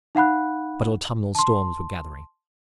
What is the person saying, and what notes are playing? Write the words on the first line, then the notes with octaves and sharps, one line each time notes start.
But autumnal storms were gathering.
D#4 F5 F#5 B5 F#6
A5 C6